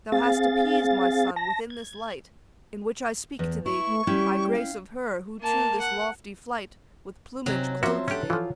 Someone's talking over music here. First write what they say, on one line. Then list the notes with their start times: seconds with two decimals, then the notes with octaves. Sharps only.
Thou hast appeased, my son, within this light In which I speak to thee, by grace of her Who to this lofty flight with plumage clothed thee.
0.12 C4 G#4 F5 A6
1.36 A5 A#6
1.70 G#6
3.39 E2
3.66 E4 C#6
3.87 A3
4.07 G3 C#4 E4 G5
4.54 F5
5.40 A#3 A5
5.80 F#5
7.46 C3 F#3 C4 C#4 D#4
7.83 F3 C4 C#4 F#4 E5 C6
8.08 C#4 D4 G4 A4 F#5
8.30 E3 F3 F4